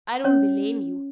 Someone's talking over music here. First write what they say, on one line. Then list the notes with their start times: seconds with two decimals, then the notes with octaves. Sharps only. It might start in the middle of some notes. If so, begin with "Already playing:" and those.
I don't blame you.
0.24 C#4 C#5